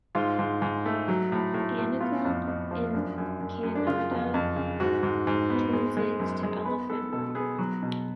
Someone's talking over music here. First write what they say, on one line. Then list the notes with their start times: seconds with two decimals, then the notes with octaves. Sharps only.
Anekal in Kannada translates to 'Elephant rock'.
0.15 G#2 F4
0.39 G#2
0.62 G#2
0.86 A3
1.08 F#3
1.32 A2
1.54 A2
1.78 A2
2.01 B3 F4
2.25 F2
2.47 F2
2.71 F3
2.94 F#2 D4
3.18 F#2
3.41 F#2
3.63 F#2
3.76 D4
3.87 C#3 F4
4.11 F2
4.34 F2
4.56 C#3
4.80 G#2 F#4
5.03 G#2
5.27 G#2
5.50 B3
5.73 G#3
5.97 G#3
6.19 F#2
6.43 G#3
6.65 B3 B4
6.90 B3 A4
7.13 B2 A4
7.35 B3 G#4
7.58 F#3 F#4
7.83 B2